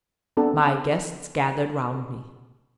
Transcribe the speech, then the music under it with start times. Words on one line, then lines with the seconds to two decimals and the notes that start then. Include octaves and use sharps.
My guests gathered round me.
0.37 B3 C4 D4 F#4 A4